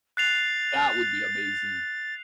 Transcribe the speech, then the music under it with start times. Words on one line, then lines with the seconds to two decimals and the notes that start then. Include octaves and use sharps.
That would be amazing.
0.17 F#6 A6 C7 F7